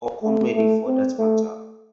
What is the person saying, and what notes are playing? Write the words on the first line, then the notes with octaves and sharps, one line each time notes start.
Or comedy for that matter.
A3
A3
C4
A3